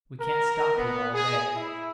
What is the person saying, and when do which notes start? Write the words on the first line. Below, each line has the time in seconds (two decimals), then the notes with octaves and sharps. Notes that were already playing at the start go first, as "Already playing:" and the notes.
We can't stop here all day.
0.21 A#4
0.76 B3
1.13 G#4
1.56 E4